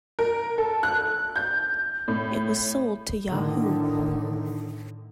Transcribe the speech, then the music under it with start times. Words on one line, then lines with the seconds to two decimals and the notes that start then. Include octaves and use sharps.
It was sold to Yahoo!
0.19 A#4
0.58 A4
0.83 F#6
1.36 G6
2.08 A2
3.28 A2 D3 D#3